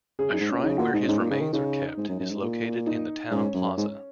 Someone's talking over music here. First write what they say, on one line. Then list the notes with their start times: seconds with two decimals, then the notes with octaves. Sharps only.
A shrine where his remains are kept is located in the Town Plaza.
0.19 C#3 G#4
0.30 F#2
0.33 D#4
0.41 G#2
0.48 A#2 C#4
0.63 C#3 D#4
0.78 A#2 F#4
0.93 G#2 D#4
1.03 C#4
1.08 G#2 D#4
1.19 A#2
1.30 C#3
1.41 D#3
1.53 C#3 D#4
1.97 G#2
2.09 F#2
2.20 F#2
2.31 G#2
2.42 A#2
2.87 D#4
3.31 G#2 C#4
3.54 F#2
3.77 G#2